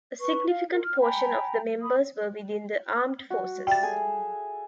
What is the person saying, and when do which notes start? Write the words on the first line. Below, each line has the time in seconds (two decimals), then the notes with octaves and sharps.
A significant portion of the members were within the armed forces.
0.21 B4 C#6
0.46 F5
0.72 A#4
0.84 F6
1.01 G5 G#5 A#5 B5
1.82 B5 D#6
3.30 F#4
3.67 G3 E5 G5 A6
3.83 G#4 A4 G#5